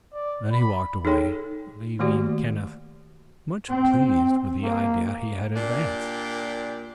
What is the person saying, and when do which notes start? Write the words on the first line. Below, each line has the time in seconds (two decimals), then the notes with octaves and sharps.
Then he walked away, leaving Kenneth much pleased with the idea he had advanced.
0.13 D5
0.52 B5
1.05 D#4 G#4 A4 C#5 G5
1.99 D#3 A3 A#3 F#4 G4 D5
3.68 C4
4.62 A#3
5.55 A#2 D4 G4